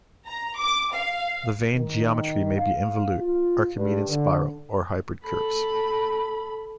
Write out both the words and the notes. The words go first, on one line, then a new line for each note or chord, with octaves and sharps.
The vane geometry may be involute, archimedean spiral, or hybrid curves.
A#5
D6
F5
D#3
F5
F4
G2
D3
A4 B5